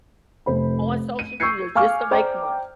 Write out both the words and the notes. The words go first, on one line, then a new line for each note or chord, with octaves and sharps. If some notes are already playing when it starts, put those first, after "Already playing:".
on social media just to make money.
F1 C5 B5
D#7
C#6 E6 G6 G#6 C7 C#7
F5 G#5 C#6 D6 F6
C5 D5 G5 A#5 D6